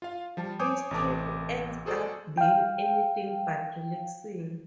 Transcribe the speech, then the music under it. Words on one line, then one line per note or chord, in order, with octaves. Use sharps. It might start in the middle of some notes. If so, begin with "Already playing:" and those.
His trip ends up being anything but relaxing.
F4 F5
F3 G3 A5
C5 C#5 G#5 D6 D#6 G6
A1 C3 A3 B3 A5 D6
F#4 G#4 A4 C5 D5
F5 G5